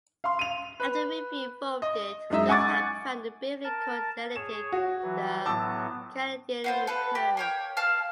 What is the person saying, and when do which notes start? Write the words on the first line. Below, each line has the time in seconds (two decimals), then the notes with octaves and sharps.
After the "Review" folded, Scott helped found and briefly co-edited "The Canadian Mercury".
0.24 F5 C6
0.39 D#7 F7
0.80 B4
1.82 D#5
2.30 F#2 G#3 D#4 E5
2.49 F#5 G#5 C#6 D6 A6
3.64 A#4 A5
4.36 G#4 C#5 E7
4.72 F#4
5.03 E3 F#3
5.46 A2 F#3 B3 A5 D6 E6
6.64 B3 F4 C5
6.87 A4 B4
7.15 G4
7.37 A#3 C#5 G5
7.77 F5 A5 F6